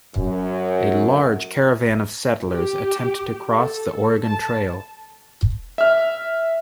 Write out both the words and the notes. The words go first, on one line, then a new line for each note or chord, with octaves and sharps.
A large caravan of settlers attempt to cross the Oregon Trail.
F#2
G4
A4
A5
E5 F6